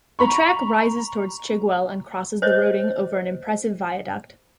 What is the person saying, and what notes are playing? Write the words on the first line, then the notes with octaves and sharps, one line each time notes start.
The track rises towards Chigwell and crosses the Roding over an impressive viaduct.
A#5 B5 C#6
C5 C#5 D#5